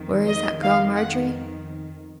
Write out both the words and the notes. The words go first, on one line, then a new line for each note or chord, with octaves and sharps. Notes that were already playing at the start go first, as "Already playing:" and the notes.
Where is that girl Margery?'
Already playing: F2 D#3
D#5
F5
F#5